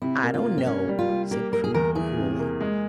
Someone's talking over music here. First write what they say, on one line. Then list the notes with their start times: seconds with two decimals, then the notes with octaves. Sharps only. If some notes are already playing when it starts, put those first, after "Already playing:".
"I don't know," said Prudy, coolly.
0.02 C3 E4
0.23 A#3
0.34 F4
0.45 A#3
0.58 C4
0.66 A#3 C#4
0.88 G3
0.99 F4
1.09 G3
1.31 A#3 G4
1.52 A#3 A#4
1.64 G#4
1.74 E2 A#4
1.95 E3 G#4
2.17 C3
2.39 A#3
2.61 G#3